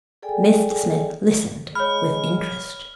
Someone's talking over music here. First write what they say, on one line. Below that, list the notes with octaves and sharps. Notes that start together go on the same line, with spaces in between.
Mr Smith listened with interest.
G#4 A4 D5 G5 G#5
G#3 C#5 B5 F6